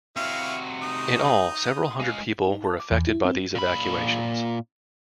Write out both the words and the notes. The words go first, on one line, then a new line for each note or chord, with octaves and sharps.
In all, several hundred people were affected by these evacuations.
C3 E4 F#4 F5
D#4 D#6
G#3 F5
D#4
A5
D6
E2
E4
C4
A#2 B5